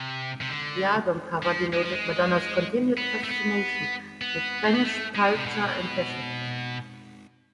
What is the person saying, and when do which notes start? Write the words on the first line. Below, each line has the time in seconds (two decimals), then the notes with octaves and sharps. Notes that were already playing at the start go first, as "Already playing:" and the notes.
The album cover denoted Madonna's continued fascination with Spanish culture and fashion.
Already playing: C3
0.41 C3
0.49 D3
1.43 F3
1.73 G#3
1.83 F3
1.93 G#3
2.98 B3
3.24 A3
3.29 B3
4.22 B3
4.65 C4
4.74 B3
4.84 A3
5.15 G#3
5.34 C3
5.46 B2